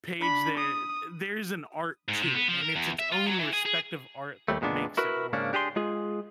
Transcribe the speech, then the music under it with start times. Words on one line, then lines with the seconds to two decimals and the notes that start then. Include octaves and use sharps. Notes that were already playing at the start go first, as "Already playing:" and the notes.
page there. There's an art to it, and it's its own respective art that makes it work.
0.20 D4 B5
0.58 D#6
2.08 G#2
2.22 C3
2.35 B3
2.48 F3
2.61 A#4
2.76 E2
2.99 E5
3.12 F4
3.27 F#3
3.39 E3
3.53 G#4
3.66 G#4
4.48 D#2 G3 A3
4.61 E2 A#2 G#3 B3 D4
4.97 E4 F#4 A#4 B4
5.33 G#2 C#3 A#3 C#4 D4
5.53 D4 G4 G#4 A#4 C6
5.76 G#3 F4 G#4